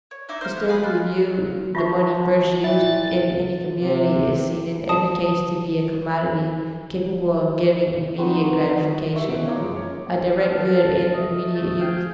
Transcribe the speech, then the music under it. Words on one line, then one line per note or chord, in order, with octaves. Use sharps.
Historically viewed, the money first used in any community is seen in every case to be a commodity capable of giving immediate gratification, a direct good in immediate use.
C#5
D#4 E4 E5 D6
C5 F5 F6
B3
F5 G#5 B5 D#6
F4 F#4
F3 F4 E5 C#6
A#2 E4 A6
C3
A5 D#6
F#3 C4 D#4 B4
D#4 G4 E5 C#6
B2 B3 E4 A4 C5 D7
C#5 F5 A#5 D6
F#2 F3 G#3
A#3 F4 C#5
B3 F4
B3 A4 A#4 F5 A5
A3 D#5
F2 A3 A5
G#4 F5 G5